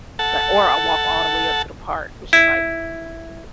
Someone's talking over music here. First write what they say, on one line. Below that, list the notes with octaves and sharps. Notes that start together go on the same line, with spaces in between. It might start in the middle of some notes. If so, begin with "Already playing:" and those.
li or I walk all the way up to the park, which is, like,
A4 F#5 A5
E4